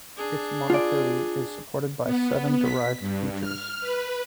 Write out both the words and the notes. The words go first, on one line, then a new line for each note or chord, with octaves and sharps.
Its monophyly is supported by seven derived features.
D4 G#4
F4 D5
B3
B6
G2
F6
B4